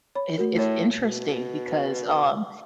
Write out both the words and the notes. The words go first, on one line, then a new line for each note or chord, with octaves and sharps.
it's it's interesting because, um,
C#5 B5
A3 F#4 A#4
A2 A3 C#5
B2